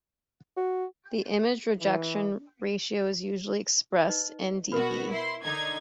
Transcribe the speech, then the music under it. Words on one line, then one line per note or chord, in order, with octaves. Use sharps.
The image rejection ratio is usually expressed in dB.
F#4
E3
D#4 B4 D#5
B2 B3 F#4 A#4 B4 B5
E4 C6
D3 D#4 G#6